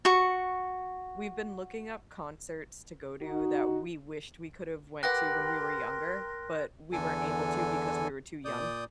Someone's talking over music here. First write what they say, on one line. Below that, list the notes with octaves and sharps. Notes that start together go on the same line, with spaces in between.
we've been looking up concerts to go to that we wished we could have went to when we were younger, but we weren't able to because we were too young.
F#4 C#6
D#4 F#4
G4 A#4 B4 F#5 G5 C6 F#6 A#6
E2 D3 E3 A4 G#5
A#2 D5 D#6 G6